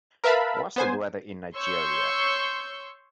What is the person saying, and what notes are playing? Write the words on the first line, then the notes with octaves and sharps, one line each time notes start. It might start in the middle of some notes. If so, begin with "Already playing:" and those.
What's the weather in Nigeria?
A#4 B4 E5 F5 A5 B5
B3 C5 G#5
C#5 C6 C#6 E6 G6